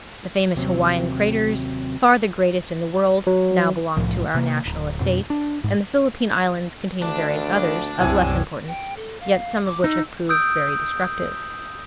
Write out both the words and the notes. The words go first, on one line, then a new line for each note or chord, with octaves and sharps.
The famous Hawaiian craters, far the greatest in the world, now belong to our national estate, and the Philippine Islands contain various others, of less importance, yet some of which have proved very destructive.
D#2 C3 F#3 A#3 C4 C#4
F#3
C2 A2 F3
C3 A#3
D1
F2 B2
D4
G#2
D2 D4
C2 F#2 A2 C3 E3 G#5
G5
A4
F5
D6
D#4 E6
D#6 E6 G6 D7